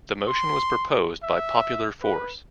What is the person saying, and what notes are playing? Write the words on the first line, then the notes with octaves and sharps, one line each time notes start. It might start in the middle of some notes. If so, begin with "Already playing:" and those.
The motion was proposed by Popular Force.
C6
E5
B4